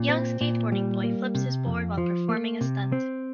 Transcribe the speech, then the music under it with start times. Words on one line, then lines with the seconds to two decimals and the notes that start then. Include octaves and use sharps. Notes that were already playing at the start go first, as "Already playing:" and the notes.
Young skateboarding boy flips his board while performing a stunt.
Already playing: A#2
0.09 C4
0.41 A#2
0.72 G3
1.04 A#3
1.35 C3
1.66 F2
1.98 F3
2.29 A#3
2.61 C3
2.92 C4